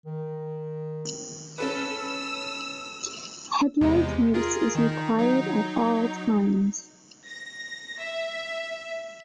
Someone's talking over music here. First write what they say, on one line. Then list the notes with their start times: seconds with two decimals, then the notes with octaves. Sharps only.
Headlight use is required at all times.
0.06 D#3
1.58 C#4 A4 B4 E6
3.81 E2 C3 G#3
4.34 F4 G#4 A#4
4.75 D#3 D#4
5.19 F#3 D#4
7.26 A#6
7.99 E5